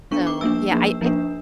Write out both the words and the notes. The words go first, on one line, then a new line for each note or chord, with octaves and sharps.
So, yeah, I I
F#3 B3 D4 C#6
D6
F3 A#3 D4 E6
F3 A#3 D4
F3 A#3 D4